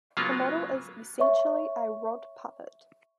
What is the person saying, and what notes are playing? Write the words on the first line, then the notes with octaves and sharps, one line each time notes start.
The model is essentially a rod puppet.
C#3 F#3 G#3 A#3 B3 F4
C#5 E5 C#6